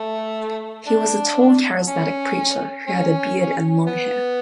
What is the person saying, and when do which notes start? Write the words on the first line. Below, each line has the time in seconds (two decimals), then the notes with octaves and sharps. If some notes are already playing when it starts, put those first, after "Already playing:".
He was a tall, charismatic preacher who had a beard and long hair.
Already playing: A3
0.87 D4
1.87 C#4
2.87 C#4
3.87 B3